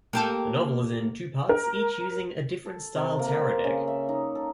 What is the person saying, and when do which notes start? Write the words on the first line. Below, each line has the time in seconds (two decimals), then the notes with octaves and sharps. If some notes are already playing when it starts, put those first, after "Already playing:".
The novel is in two parts, each using a different style Tarot deck.
0.13 A#3 G4 A4
1.49 A#4
2.66 A4
2.95 C3
3.19 A#3
3.39 C4
3.64 C#3
3.87 E5
4.09 D#4
4.35 A4